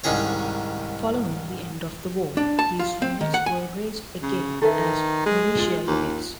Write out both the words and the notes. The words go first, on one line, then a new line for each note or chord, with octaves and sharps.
Following the end of the war, these units were raised again as militia units.
C2 G#2 D#3 C#4 G#4 C#5
D4
A5
F4
C4
D#3
F#5
G#5
C#3
D#3 A4 B4 E5
G#3
F4
D#2